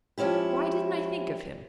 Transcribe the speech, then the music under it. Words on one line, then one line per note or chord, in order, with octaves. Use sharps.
Why didn't I think of him?
F3 G#3 C#4 E4 G4